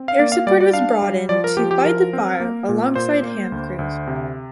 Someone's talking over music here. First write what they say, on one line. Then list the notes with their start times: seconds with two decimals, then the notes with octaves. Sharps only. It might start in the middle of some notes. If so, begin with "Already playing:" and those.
Air support was brought in to fight the fire alongside hand crews.
Already playing: C4
0.08 F5
0.19 A#3 D5
0.32 F5
0.47 G3 D5
0.60 D5
0.73 D4 F5
1.02 G3
1.29 F3 D5
1.44 A#4
1.57 F3 G4
1.71 G4
1.85 F3 A#4
2.13 C4
2.40 A#3
2.69 A#2
2.95 A#2 C5
3.23 A#3
3.52 D2
3.79 D2
4.07 C3